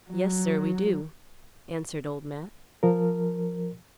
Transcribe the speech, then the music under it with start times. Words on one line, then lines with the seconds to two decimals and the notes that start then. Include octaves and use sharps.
"Yes, sir, we do," answered Old Matt.
0.10 F#3
2.83 F3 A#4